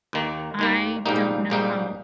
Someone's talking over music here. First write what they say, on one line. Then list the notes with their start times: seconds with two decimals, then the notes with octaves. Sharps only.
I don't know how
0.13 D#2 D#3 A#3
0.59 D#2 D#3 A#3
1.06 A#1 G#2 G3 A#3 D#4
1.50 A#1 G#2 G3 A#3 D#4